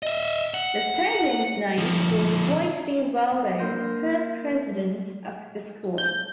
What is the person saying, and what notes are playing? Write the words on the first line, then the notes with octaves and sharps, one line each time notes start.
The stadium is named for Dwight B. Waldo, first president of the school.
D#5 E5
F#5
D3 F3
A#3 D4 A#4 C6 G6 A#6
G6